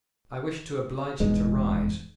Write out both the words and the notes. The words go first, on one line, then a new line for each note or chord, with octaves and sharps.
I wished to oblige him to rise.
E1 E2 G#2 G#3